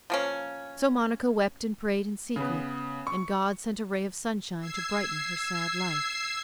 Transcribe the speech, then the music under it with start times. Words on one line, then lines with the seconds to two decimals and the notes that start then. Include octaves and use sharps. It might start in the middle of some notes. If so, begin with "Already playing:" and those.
So Monica wept and prayed in secret, and God sent a ray of sunshine to brighten her sad life.
0.10 F3 A#3 C#4
2.36 C#3 B3
3.07 C#6
4.59 E6 G#6 C7